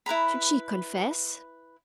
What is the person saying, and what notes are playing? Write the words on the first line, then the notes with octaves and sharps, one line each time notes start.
Should she confess?
E4 B4 A#5 B5